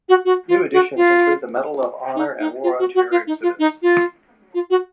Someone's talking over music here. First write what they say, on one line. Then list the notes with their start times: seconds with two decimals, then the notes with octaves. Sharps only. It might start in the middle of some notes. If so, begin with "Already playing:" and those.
New additions include Medal of Honor and War on Terror exhibits.
0.09 F#4
0.25 F#4
0.49 F4
0.73 F#4
0.97 F4
2.16 D#4
2.40 D#4
2.63 F4
2.79 F#4
2.95 F#4
3.11 F4
3.27 D#4
3.43 F4
3.59 D#4
3.82 F4
4.54 F4
4.70 F#4